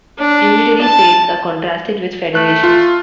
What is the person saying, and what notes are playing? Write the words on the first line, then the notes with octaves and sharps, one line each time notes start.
Unitary states are contrasted with federations.
D4
A5
A3 F#6
F4